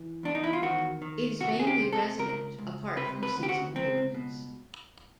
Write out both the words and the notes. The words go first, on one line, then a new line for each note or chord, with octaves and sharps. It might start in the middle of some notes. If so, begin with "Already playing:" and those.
It is mainly resident, apart from seasonal movements.
Already playing: E3
E2 D4
D#4
E4
F4
D#3 F#4
D#3
C3 F#4
G#4
G4
C3
A4
C#2 A#4
C#2
C3 B4
B4
D2
G4
F#4
C#2 C4
B2